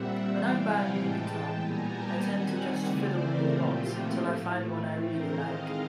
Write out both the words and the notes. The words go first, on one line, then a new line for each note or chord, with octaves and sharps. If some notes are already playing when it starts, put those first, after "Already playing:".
When I'm buying a guitar I tend to just fiddle with lots until I find one I really like.
Already playing: A#2 G3 C4 E5 F#5
C3 E3 G3 C4 F5 G5
F#5 G#5
A2 E3 G#3 G5 A5
A#2 G3 B3 G#5 A#5
G5 A5
D#3 G3 C4 F#5 G#5
C#3 E3 A3 C4 C5 D5
A#4 C5
A#2 F3 A3 C4 F4 G4
E4 F#4
A2 F3 A3
A2 E3 A3 C4
A#4 C5
D#3 G#3 C4 D#5 F5